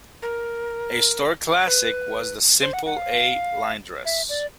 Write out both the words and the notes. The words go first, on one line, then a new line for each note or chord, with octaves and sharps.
A store classic was the simple A-line dress.
A#4
B4
C5
F#5
F#5
F5
E5
D5